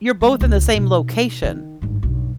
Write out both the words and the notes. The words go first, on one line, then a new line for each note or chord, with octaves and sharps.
You're both in the same location.
E3 G#3
C#2
B2 D#4
D#3
G#1 G2
B1 G2